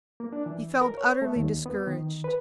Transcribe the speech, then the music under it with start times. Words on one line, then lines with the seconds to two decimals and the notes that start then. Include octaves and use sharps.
He felt utterly discouraged.
0.20 A#3
0.33 D4
0.46 E3
0.81 A#4
0.98 C#5
1.22 A3
1.36 D#2
1.66 B3
1.87 D#3
2.24 B4